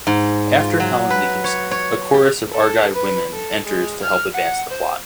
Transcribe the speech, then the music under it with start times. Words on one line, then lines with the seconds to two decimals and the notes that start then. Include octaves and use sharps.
After Helen leaves, a chorus of Argive women enters to help advance the plot.
0.07 G#2
0.60 F4
0.80 F#3
1.10 B4
1.44 C#5
1.71 C#5
2.14 G4
2.54 A4
2.94 B4
3.32 A4
3.66 G#3
4.03 F6
4.34 F#5
4.70 C5